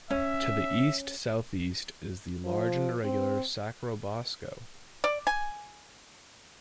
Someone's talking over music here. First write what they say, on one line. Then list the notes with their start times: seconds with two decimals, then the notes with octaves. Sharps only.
To the east-southeast is the large and irregular Sacrobosco.
0.11 C#4 E5
2.44 F3
3.04 C4
5.04 D5
5.27 G#5